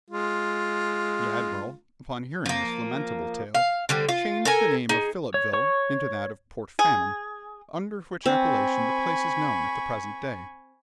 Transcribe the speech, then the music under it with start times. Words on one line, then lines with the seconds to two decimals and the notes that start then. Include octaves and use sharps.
The Admiral, upon hearing this lamentable tale, changed the name of Philippeville into that of Port Famine, under which appellation the place is known at the present day.
0.10 G#3 F4
2.46 F3 A#3
3.55 F5
3.89 D3 G3 C4
4.09 F4
4.45 A4 A#4 G#5
4.89 D#4 G#4
5.34 C#5
5.53 C#5 C#6
6.79 G#4
8.26 C4 G#5 B5 C#6